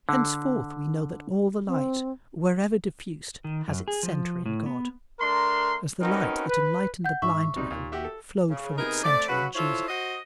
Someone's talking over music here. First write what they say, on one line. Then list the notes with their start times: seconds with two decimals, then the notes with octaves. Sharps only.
Henceforth we know that all the light wherever diffused has its centre in God, as the light that enlightened the blind man flowed from its centre in Jesus.
0.09 D3
1.68 C4
3.44 D#3
3.68 F#2
3.88 G#4
4.03 F3
4.46 A2
4.66 B3
5.20 A3 D4 A#4 A#5 C6
6.01 C4 C#4 D#4 F#4 A#4 B4
6.48 B4
7.04 F#5 G6
7.22 G#2 E5 C#6
7.56 B1 C3 G3 D#4
7.71 D#2 A#2
7.92 F#4 G4 E5
8.04 A4
8.49 C#3
8.77 C3 B3 D#4 G#4 A#4
9.02 A3 C4 D5
9.29 C#3 F#3 F#4 B4
9.54 E4 F4 A4 C5 C#5
9.88 F#4 C5 D#5